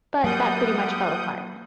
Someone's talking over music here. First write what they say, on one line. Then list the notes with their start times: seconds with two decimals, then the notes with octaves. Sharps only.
But that pretty much fell apart.
0.24 F#2 A2 F#3 G3 A#3 F#5 D#6 G6